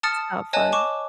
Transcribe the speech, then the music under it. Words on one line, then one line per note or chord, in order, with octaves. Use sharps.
It's not fun.
A5 D#6 F6 A6 C#7 E7
C#5 D#5 G#5 A5 F#6
C#6 D6 E7